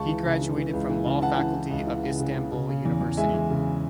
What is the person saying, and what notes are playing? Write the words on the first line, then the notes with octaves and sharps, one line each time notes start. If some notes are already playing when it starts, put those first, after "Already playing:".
He graduated from law faculty of Istanbul University.
Already playing: C#2 A5 C#6
E3
C#3
E3
E3
C#2
E3
C#3
E3 F#5 A5
E3
E3
C#2
E3
C#3
C#3
C#3
C#3
C#3
E2
E2
G#3 E5 G#5
E2
C#3